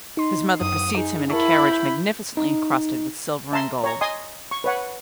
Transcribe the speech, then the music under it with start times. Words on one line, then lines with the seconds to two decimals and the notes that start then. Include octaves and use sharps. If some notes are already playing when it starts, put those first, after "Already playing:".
His mother precedes him in a carriage magnificently encrusted with silver and gold.
0.17 D#4 C6
0.61 F#2 D#6
0.97 D#4 G#4
1.30 E4 A#4 A5 B5 C#6
1.66 G6
2.37 D#4
3.53 E5 A5 A#5 C6
3.84 C#5 A#5
4.01 D#5 G#5 C6 D#6
4.51 C#6
4.64 B4 C#5 F#5